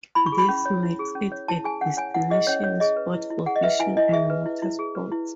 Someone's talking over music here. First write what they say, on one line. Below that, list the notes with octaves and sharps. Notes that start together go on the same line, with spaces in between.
This makes it a destination spot for fishing and water sports.
E4 B5
C#6
G#4
B5
C#4
C#5
E4
G#4
C#4
C#5
E4 A5
G#4 G#5
C#4 F#5
C#5 G#5
E4 F#5
G#4 D#5
C#4 C#5
C#5
G#4 D#5
B4
E4
E4
G#4 F#5
D#5
B4 E5
E4 G#5
E4 D#5
G#4 E5
B4
E4
E4
G#4
B4
E4